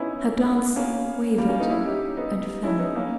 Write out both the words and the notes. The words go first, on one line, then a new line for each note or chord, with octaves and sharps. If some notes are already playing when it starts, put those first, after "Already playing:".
Her glance wavered and fell.
Already playing: B3 C#4 D#4 E4
A#3 C#4
G3 A#3
A#3 C#4
B3 D#4
C#4 E4
D#4 G4
B3 D#4
C#4 E4
B3 D#4
A#3 C#4